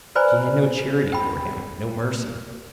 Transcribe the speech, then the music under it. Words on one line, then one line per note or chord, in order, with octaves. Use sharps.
She had no charity for him, no mercy.
B4 C5 D5 G#5 A#5 B5
G5 B5